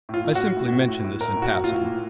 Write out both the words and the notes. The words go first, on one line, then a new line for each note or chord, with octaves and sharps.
I simply mention this in passing.
A2 F4
A2
F#4
A2
A2
A2
A2
A2
A2 A#4
A2
F#4
A2
F4
A2
A#2